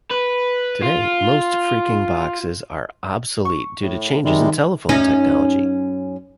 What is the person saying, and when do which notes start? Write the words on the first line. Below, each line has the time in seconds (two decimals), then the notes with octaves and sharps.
Today, most phreaking boxes are obsolete due to changes in telephone technology.
0.11 B4
0.83 F4
3.45 C#6
3.81 A2
4.25 C3 D#3 G3 G#3
4.89 F#2 C#4 D#4